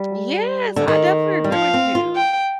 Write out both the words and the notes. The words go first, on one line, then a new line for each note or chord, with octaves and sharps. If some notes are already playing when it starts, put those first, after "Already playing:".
Yes, I definitely agree with you.
Already playing: G3
D3
D#3
G3
F3 F5
C4
F4
G5